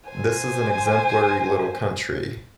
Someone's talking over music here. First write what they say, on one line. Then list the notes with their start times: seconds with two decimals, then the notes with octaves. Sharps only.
This is an exemplary little country.
0.10 C5 G#5